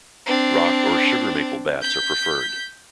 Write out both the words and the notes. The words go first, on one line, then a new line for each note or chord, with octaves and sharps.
Rock or Sugar Maple bats are preferred.
C4 D4
G6 B6